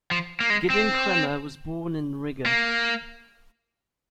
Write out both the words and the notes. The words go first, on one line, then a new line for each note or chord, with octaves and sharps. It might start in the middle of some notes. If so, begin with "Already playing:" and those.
Gidon Kremer was born in Riga.
F3
A#3
G#3
C4
A#3